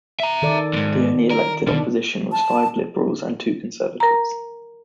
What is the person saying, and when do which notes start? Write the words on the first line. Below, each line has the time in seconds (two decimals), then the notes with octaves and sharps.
The only elected opposition was five Liberals and two Conservatives.
0.20 E5 A#5
0.42 D#3 A4 D5
0.73 D#2 G#2
1.30 A#4
1.67 B2 D#3 D4
2.32 A5
4.00 A#4 A#5